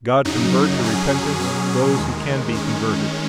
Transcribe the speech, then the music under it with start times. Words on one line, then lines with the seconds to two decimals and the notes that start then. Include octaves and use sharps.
God convert to repentance those who can be converted!
0.25 F#2 C#3 F#3 D#4
0.81 F#2 F#3 C#4 G#4
1.38 B2 F#3 C#4 G#4
1.95 D#2 D#3 G#3
2.52 D#3 G#3 C#4